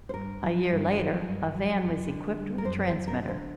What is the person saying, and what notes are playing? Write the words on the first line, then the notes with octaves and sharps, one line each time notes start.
A year later a van was equipped with a transmitter.
C5
G2 A#4
F#3
G2
F#3
G2
F#3
F#2
D3
G3
A#4
F#2 C5
C5
F#2
A#4
D3
C5